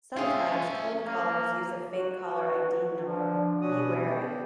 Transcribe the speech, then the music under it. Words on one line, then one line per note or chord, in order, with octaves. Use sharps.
Sometimes cold callers use a fake caller id number. Be wary.
G#3 C#4 F4 G#4 E5 G5
A#3
F#4
B4
F3 D4
B2 C#4 F#4 D#6
B3 G4